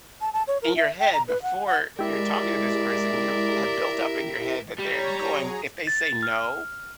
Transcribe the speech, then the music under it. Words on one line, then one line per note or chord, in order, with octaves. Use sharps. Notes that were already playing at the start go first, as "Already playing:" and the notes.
in your head, before you're talking to this person, you have built up in your head that they're going if they say no
A5
A5
C#5
A#4
E5
G5
A#5
B4
F#5
F#5
G#3 E4 G4 A#4 D5 E5
G3 C#5 A#5
F#3 G#4
A6
F6